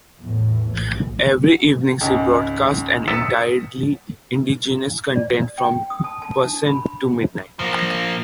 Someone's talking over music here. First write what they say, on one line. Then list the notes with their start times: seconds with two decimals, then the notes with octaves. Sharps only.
Every evening she broadcasts an entirely indigenous content, from % to midnight.
0.21 E2 A2 E3
0.70 A#1
2.01 G#1 C#2
3.08 D#6 E6 A6 B6 C#7 E7
5.16 D5
5.58 G5
5.90 D#6
6.04 A5
6.22 A5
6.44 D4
6.67 B5
7.59 F3 A#3